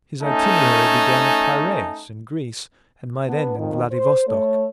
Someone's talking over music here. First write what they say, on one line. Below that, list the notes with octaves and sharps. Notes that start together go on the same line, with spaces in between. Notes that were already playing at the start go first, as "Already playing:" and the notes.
His itinerary began at Piraeus, in Greece, and might end in Vladivostok.
A3 C#4 D#4 G#5 A5
B3 D4
F2 D#3
C5
A3 C#5